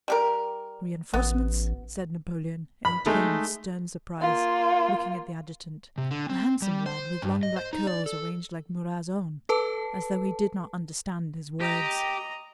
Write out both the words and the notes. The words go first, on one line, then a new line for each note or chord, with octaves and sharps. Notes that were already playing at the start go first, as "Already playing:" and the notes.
"Reinforcements?" said Napoleon in a tone of stern surprise, looking at the adjutant--a handsome lad with long black curls arranged like Murat's own--as though he did not understand his words.
G3 G4 A#4
A1 B3
B5
G#3 A3 D#4
A#3 F4
C3
D3
C4
G3
C5
G2
D#5
C5
D#4
D5
A4
A4 B4 A5
G4 D#5 A#5